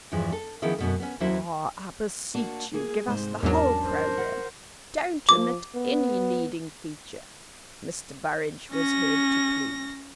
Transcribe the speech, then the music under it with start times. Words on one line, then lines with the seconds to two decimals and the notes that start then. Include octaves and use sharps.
"Ah, I beseech you, give us the whole programme--don't omit any leading feature!" Mr. Burrage was heard to plead.
0.12 E2 G2 E3 F3 G#3
0.32 A4
0.62 D#3 F3 B3 C#4 E4 G#4
0.78 F#2 B2 A3
1.00 B3 C#4
1.20 D#2 F#3 C#4 E4 C5
2.35 A#3 D4 F#4
2.74 A#3 G#4
3.07 G#2 C3 G#3 C5
3.43 E2 G#2 F#3 C#4 D4 A#4 A5
3.84 A#4 C5
4.18 F#5
5.29 F3 D6
5.75 B3
8.72 C#4 A#6